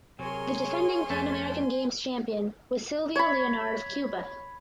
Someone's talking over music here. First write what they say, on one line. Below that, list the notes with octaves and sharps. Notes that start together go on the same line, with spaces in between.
The defending Pan American Games champion was Silvio Leonard of Cuba.
C3 F#3 G#4 A#4 C#5 G#5 C6
F2 A3 A4
C#5 B5